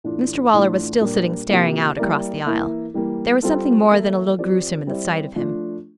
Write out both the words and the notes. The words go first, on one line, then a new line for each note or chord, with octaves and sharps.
Mr Waller was still sitting staring out across the aisle. There was something more than a little gruesome in the sight of him.
A2 E3 A3 D4 F4
A2 E3 A3 D4 F4
A#2 G3 A#3 D4
C3 F3 A#3 E4 G4
G3 A#3 E4 A#4 D5
E3 A#3 E4
E3 G3 A#3
G3 C4 F4 A4
E3 A#3 E4 A4
F3 C4 G4 D5
G3 C4 E4 G4 D5
F3 A3 D4 F4